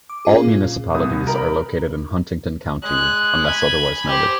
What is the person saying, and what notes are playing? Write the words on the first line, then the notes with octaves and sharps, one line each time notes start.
All municipalities are located in Huntingdon County unless otherwise noted.
D6
C#4 F4 G#4
A#2
C2 D#6
C3
A#4 A#5 B5
G#3 F#6
G#5 B5
G4 C5